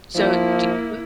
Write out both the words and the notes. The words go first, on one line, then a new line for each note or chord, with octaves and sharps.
So do you
F3 A#3 E4